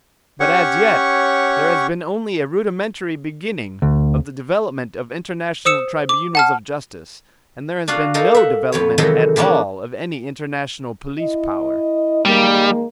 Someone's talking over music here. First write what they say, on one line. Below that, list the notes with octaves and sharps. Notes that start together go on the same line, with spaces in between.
But as yet there has been only a rudimentary beginning of the development of international tribunals of justice, and there has been no development at all of any international police power.
C#4 G4 C#5 F#5 C#6
D2
C5 D#6 E6 C#7 E7
D6
F#5 A5 F6
D4 F4 F#4 F5
D#4 A4 A#4 D#5 F5
E5 F#5
F2 B3 C#5
C3 D#3 E3 F#3 G#3 A4
E3 F3 A#3 C#4 D4
E4 D#5
D#3 G3 G#3 A#3